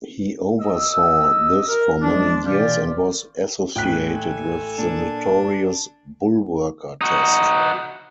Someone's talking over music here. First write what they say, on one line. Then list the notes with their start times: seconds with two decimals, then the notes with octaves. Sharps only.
He oversaw this for many years and was associated with the notorious 'bullworker test'.
0.61 F#4 D#5 E6
1.67 A#4
2.01 F3 G#3 D4
2.45 B2 E3 F4 G4 D5
3.76 A1 A4 G5 G#5 F#6 B6
4.78 A#2 D4
7.01 D#4 F#4